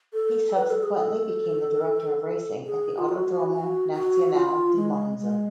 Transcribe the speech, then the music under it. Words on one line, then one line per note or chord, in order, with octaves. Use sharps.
He subsequently became the director of racing at the Autodromo Nazionale di Monza.
A4
B4
A4
G#4
A4
G#4
F4
F#4
F#4
F#4
F4
G#3
G#3